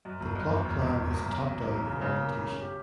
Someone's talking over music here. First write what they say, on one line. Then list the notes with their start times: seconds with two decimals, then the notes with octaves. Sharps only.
The plot plan is a 'top-down' orientation.
0.05 F#2
0.20 G1
0.35 F#2
0.50 G1
0.65 E1
0.81 E2
0.96 E1
1.11 E2
1.25 B1
1.41 B1
1.56 B1
1.71 B1
1.86 C#3
2.01 C#3
2.17 A#3
2.31 C#3
2.47 C#4
2.61 G4